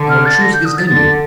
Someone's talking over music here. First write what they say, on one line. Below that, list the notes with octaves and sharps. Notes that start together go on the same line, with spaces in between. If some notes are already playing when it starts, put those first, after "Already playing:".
"Our truce is ended."
Already playing: D3
F6
A6
A#6
G6
D#6
A6
D3 A6